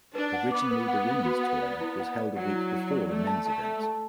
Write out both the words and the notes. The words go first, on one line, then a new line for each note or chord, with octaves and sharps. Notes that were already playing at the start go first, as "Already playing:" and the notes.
Originally the women's tournament was held a week before the men's event.
D4 B4
F#5
B3 D6
B4
F#5
F#5
F#4
F#5
D5
E4
F#5
D5
F#3 F#5
E4
E4
D5
A3 D5
A5
A3 A5
A5
A5